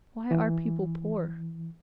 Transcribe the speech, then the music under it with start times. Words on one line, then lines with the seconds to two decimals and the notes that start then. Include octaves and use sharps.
Why are people poor?
0.31 E3